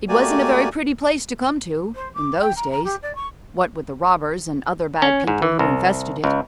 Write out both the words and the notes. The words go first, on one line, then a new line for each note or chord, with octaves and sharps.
It wasn't a very pretty place to come to in those days, what with the robbers and other bad people who infested it.
A3 A#3 F#4 G4 D5 G#5
C5
D6
G5
A#5
A#5
G4
D5
C#6
C#4
G#2
E3
C2
C#2